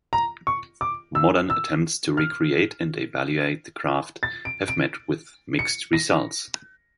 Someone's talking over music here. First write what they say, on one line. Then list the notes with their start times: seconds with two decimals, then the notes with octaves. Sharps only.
Modern attempts to recreate and evaluate the craft have met with mixed results.
0.13 A#5
0.47 C#6
0.81 D6
1.15 E6
1.50 E6
2.17 F6
4.23 A6
4.45 D7
4.68 D7
5.59 C#7
5.93 A#6